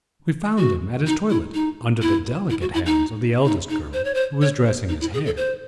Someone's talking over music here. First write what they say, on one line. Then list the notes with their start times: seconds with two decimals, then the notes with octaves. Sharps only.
We found him at his toilet under the delicate hands of the eldest girl, who was dressing his hair.
0.58 F#4
1.07 D#4
1.30 E4
1.54 D#4
2.02 E4
2.50 E4
2.61 F#4
2.74 E4
2.86 D#4
3.45 D#4
3.69 D#4
3.93 C5
4.05 C#5
4.14 C5
4.41 C#5
4.65 C5
4.89 D#4
5.01 E4
5.14 G#4
5.26 A4
5.37 C5